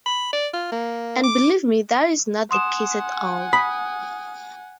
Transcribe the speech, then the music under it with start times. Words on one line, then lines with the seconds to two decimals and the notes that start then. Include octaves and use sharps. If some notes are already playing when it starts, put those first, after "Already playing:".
And believe me that is not the case at all.
0.06 B5
0.33 D5
0.54 F4
0.72 A#3
1.24 D6
2.51 F#5 G#5 C6 D#6 E7
3.53 B5 D#6